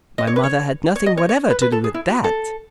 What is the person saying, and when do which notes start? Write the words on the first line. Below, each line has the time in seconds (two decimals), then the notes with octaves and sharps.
My mother had nothing whatever to do with that.
0.18 D#5
0.27 C#5
0.36 B4
0.44 C#5
0.96 C#5
1.06 D#5
1.17 C#5
1.29 C#5
1.50 B4
1.62 B4
1.72 A4
1.84 G#4
1.94 E4
2.10 F#4
2.24 A4